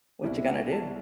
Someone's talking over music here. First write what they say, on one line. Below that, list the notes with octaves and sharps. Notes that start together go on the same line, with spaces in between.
What you gonna do?
C2 B2 G3 C4 E4 E5
E5
F#5
A5